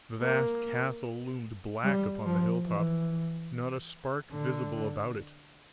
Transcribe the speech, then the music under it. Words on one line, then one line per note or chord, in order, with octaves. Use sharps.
The vast castle loomed black upon the hilltop, not a spark visible about it.
A#3
G3
F3
E3
D3